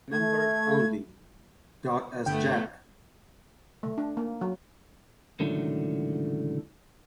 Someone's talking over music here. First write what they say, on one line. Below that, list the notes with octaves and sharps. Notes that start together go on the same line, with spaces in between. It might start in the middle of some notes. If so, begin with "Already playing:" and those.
Remembered only.. dot as Jack.
A3 G#6
G1 D3 A3 B3 G5
A3
D4
A#3
F#3
C#2 A2 D3 D#3 F#3 A3